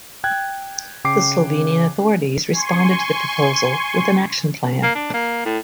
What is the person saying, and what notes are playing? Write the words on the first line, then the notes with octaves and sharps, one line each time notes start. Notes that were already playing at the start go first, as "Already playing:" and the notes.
The Slovenian authorities responded to the proposal with an action plan.
G5 F#6 G#6
C#3 G5 D6 C7
G#5 C6 C#6
A#3
D4
A#3
A2